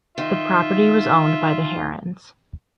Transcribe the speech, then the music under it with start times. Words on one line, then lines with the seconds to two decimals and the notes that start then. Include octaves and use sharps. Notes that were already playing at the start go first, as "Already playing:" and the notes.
The property was owned by the Herons.
0.18 D#3 F4 E5